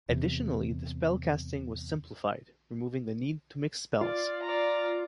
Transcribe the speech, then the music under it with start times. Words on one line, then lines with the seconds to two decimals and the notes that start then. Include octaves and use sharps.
Additionally the spell-casting was simplified, removing the need to mix spells.
0.09 E2 C3
4.01 F4 D5
4.42 D5 A#5